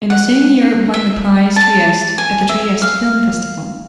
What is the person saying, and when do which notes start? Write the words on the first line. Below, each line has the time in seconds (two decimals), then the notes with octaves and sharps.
In the same year it won the Prize Trieste at the Trieste Film Festival.
0.10 F#5
0.94 E5
1.56 A5
2.18 G#5
2.49 E5
2.82 F5